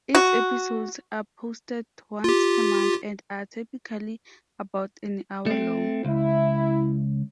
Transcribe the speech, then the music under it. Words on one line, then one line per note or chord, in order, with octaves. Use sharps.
Its episodes are posted once per month and are typically about an hour long.
F#4
F4 G4
A3 C4
C#2 E4